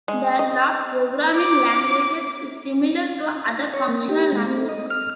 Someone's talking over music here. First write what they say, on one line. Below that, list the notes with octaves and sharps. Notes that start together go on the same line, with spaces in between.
The Lout programming language is similar to other functional languages.
G#3
D#5
D6
C#5
A#3
G4
G#3
C4
D#5
F6